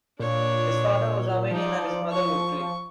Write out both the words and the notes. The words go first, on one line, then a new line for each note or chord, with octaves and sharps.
His father was Armenian and his mother was Greek.
A#2 D4 C#5
F3 D#4 D5
C#6